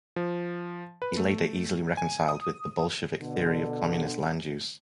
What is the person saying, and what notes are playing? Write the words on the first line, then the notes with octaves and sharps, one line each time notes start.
He later easily reconciled with the Bolshevik theory of communist land use.
F3
B4
A3
G#5
D#6
B2 D3